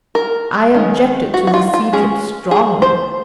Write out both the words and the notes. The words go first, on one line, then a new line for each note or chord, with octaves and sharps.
I objected to the sea trip strongly.
A#4
D#3 G#3 C#4
F#4
F#4
F4
F4
G#3 C#4 G#4
G#4
C5